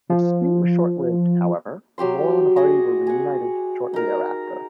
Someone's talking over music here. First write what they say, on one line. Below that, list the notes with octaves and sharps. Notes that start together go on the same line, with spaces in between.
The dispute was short-lived, however, and Laurel and Hardy were reunited shortly thereafter.
F3
F#3 G4 G5 C6
F#4 G#4 D#5
G#4 F#5
D#4 A#4